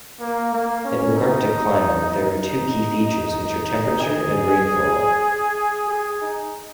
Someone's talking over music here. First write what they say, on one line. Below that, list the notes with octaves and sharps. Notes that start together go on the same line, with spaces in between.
In regard to climate there are two key features which are temperature and rainfall.
A#3
A#3
C#4
D#4
D#4
G#4
G#4
D#4